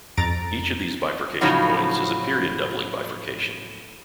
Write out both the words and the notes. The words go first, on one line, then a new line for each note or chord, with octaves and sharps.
Each of these bifurcation points is a period-doubling bifurcation.
F2 A#5 A6 D7
A2 C#3 F3 F#3 C#4 D#4